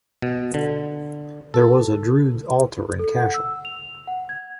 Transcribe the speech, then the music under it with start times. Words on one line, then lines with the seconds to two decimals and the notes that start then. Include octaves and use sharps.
There was a druids altar in Cashel.
0.22 B2
0.54 D3
1.54 A4
2.99 A4
3.16 F#5
3.34 E6
3.65 F7
4.07 F#5
4.29 G#6